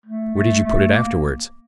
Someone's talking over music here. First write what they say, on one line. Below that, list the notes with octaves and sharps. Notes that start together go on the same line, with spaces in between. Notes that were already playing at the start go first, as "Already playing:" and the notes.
"Where did you put it afterwards?"
A3
A3
A3
A#3